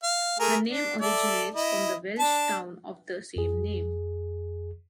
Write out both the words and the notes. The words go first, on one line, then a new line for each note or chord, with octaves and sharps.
The name originates from the Welsh town of the same name.
F5
A3 G#4 A#4
D4
A4 D5 E5
E4 D#5
D4 A5
F2 G#4